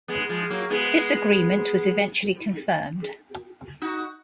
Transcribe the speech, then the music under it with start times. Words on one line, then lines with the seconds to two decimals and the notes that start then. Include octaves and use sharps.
This agreement was eventually confirmed.
0.08 G#3 B3
0.29 F3 G#3
0.50 F#3 A#3
0.70 G#3 B3
3.82 D#4 F#4